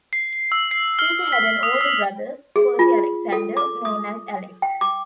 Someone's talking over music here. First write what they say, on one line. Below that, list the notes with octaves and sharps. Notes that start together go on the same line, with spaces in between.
Peter had an older brother, Percy Alexander, known as Alec.
C7
E6
C7
F6
B6
D#6
E6
G#4
F4
A4
D6
D#6
G5
D6